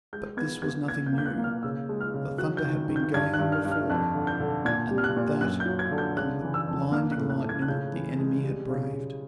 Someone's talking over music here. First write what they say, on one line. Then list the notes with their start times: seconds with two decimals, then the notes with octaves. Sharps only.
But this was nothing new: the thunder had been going on before, and that and the blinding lightning the enemy had braved.
0.13 G#3 G6
0.37 B3 G#6
0.62 B3 G#6
0.88 A#3 G#6
1.06 G6
1.13 A#3
1.18 G6
1.26 F#6
1.38 A#3
1.44 F6
1.63 C#3 E6
1.89 G#3
2.01 F6
2.14 C#3
2.38 F#3 F#6
2.57 G6
2.64 D#3
2.89 D#3
2.96 G6
3.14 G2 G#6
3.34 F#6
3.39 G2
3.52 F6
3.65 G2
3.71 F6
3.90 F2 F#6
4.15 D3
4.27 G6
4.40 D3
4.65 A#2 G#6
4.91 G3
4.98 F6
5.04 F#6
5.16 A#2
5.41 F#2 F#6
5.60 G6
5.66 F#3
5.79 G#6
5.91 D3
5.98 G6
6.16 C#3 F#6
6.42 E3
6.54 E6
6.68 F2
6.92 A#3 F6
7.12 F#6
7.18 A2
7.29 F#6
7.42 A2
7.49 G#6
7.62 F#6
7.68 C#3 G6
7.92 E3
8.19 G#3
8.44 G3
8.69 C#3
8.93 C#3